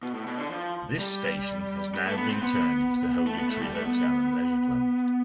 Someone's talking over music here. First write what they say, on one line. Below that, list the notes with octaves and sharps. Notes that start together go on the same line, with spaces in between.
This station has now been turned into The Holly Tree Hotel and Leisure Club.
B2
A2
B2
D3
F3
G3
G3
A3
B3
C4
B3
A3
B3
A3
G3
A3
B3